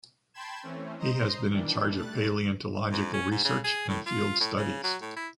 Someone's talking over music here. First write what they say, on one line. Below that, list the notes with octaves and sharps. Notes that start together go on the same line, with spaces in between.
He has been in charge of paleontological research and field studies.
G5 A5 B5 C6 G#6 E7
E3 A3 C4 C#4
C5 D#5 A#5 C6
D#3 E3 G3 D4
G3 A3 F#6 A6
F2
C#4
G#2
C#3
G#4
A2
F4
A2
C#3
F#3
A2
E4